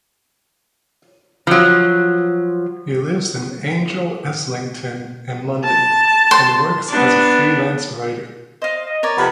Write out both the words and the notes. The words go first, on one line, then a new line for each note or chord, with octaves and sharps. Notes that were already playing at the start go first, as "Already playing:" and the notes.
He lives in Angel Islington in London, and works as a freelance writer.
F3 F#3
A5
C6
B3 D4
C5 D#5 F5
D#5
A#4 C#5 D5
F2 C3 B3 B5